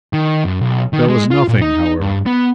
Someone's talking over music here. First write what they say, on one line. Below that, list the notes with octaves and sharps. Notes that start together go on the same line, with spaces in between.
There was nothing, however.
D#3
F#2
B1
D#3
G#3
F4
A#2
D#4
G2
B3